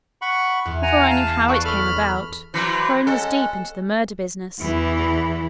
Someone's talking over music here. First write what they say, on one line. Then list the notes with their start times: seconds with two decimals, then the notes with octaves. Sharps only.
Before I knew how it came about, Crone was deep into the murder business.
0.22 F#5 B5 C#6
0.65 E2
0.83 F#5 G#5 A#5
1.10 F5 A5
1.48 B4 D5 C#6
1.65 A4 B5 F6
2.54 E3 F#3 B4 C5
3.07 G#3 C#4 A4 F#5
4.61 E2 E3